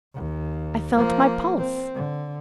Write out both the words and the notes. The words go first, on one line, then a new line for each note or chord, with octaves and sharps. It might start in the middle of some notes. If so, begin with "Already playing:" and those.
I felt my pulse.
D#2
F3 A#3
C4
D3